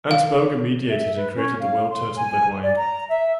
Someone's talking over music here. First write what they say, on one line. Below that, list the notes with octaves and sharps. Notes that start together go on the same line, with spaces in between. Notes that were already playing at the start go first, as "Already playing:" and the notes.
Antaboga meditated and created the world turtle Bedwang.
F5
E5
B4
C#4
F5
C6
G#5
D5
A#5
E5